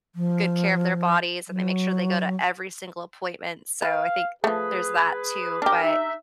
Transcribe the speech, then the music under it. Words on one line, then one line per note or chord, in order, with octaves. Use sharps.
good care of their bodies, and they make sure they go to every single appointment, so I think there's that, too, but
F3
F#3
B4 F5
F3 A3 G#4 B4
D4 G4 A#4
D#4 E5